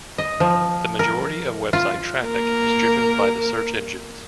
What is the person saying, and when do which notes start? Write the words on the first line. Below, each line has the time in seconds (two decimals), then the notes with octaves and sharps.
The majority of website traffic is driven by the search engines.
0.18 D#5
0.40 F3
0.99 A#4
1.73 F4
2.24 A#3 A#4